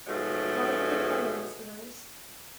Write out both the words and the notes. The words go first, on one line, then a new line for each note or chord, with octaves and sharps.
The Clerk of the Parliaments arose.
G#2 B2 F3 F#3 G#3 A3